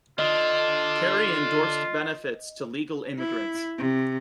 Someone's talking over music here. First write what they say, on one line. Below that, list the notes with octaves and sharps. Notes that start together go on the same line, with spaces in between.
Kerry endorsed benefits to legal immigrants.
D3 F4 D#5
E4
C3